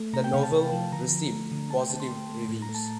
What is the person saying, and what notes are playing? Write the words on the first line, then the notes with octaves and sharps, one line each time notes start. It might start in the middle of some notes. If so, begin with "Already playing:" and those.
The novel received positive reviews.
Already playing: A3
C3 A#5
G5
C3 F5
A5
C3
F3
D3 A#5
F3
A3
D3
A3 A5
G5
D3 A5
C6
A3
A3
A2
A#5
A3
A5